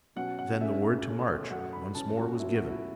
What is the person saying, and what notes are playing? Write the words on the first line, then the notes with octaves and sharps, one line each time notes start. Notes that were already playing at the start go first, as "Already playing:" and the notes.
Then the word to march once more was given.
B2 F#3 C#4 F#5
F#5
C#3 A3 C#4 E5
C#3 A3 C#4
F#2 F#3 A3 F#5
B5
C#3 E3 C#4 A5
F#4
B2 F#3 C#4 E4
F#4
E4